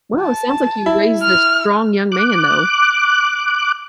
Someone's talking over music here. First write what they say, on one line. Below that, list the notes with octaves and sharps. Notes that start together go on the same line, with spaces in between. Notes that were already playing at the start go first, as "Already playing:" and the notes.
Well, it sounds like you raised this strong young man, though.
A5
E4
F6
D6 F#6